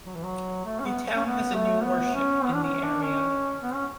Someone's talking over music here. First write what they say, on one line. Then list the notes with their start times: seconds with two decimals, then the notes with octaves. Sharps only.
The town has a new worship in the area.
0.06 F#3
0.15 E3
0.24 F#3
0.66 A3
0.80 C#4
0.85 B3
1.17 C#4
1.25 B3
1.55 A3
1.84 B3
2.14 C#4
2.44 B3
2.54 D4
2.64 C#4
2.84 D4
3.04 C#4
3.63 B3
3.74 C#4